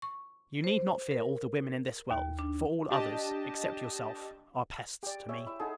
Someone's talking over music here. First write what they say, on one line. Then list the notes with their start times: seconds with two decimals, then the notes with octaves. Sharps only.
You need not fear all the women in this world; for all others, except yourself, are pests to me.
0.02 C#6
0.64 C5
1.11 A#4
2.11 D#2
2.39 D4
2.90 D4 G4 D#5 A5
5.03 G4 G#4 D5
5.29 G#4 C#5 E5
5.46 E4 E5
5.59 D#4 G#4 A4 F#5 A5